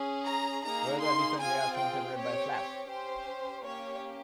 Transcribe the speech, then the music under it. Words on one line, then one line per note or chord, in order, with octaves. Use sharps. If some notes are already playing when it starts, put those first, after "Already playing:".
Where they are different, they are shown separated by a slash.
Already playing: C#4 G#4
A#5
A#3 D#4 G#4 A#5
C6
C4 F4 G#4 G#5
G5
C4 G4 C#5
C#5
C#4 G4 C5
A#3 C#4 G4 C#5